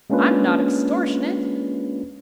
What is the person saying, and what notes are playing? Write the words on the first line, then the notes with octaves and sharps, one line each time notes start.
I'm not extortionate.
G#3 A#3 C#4 D4 F4 B4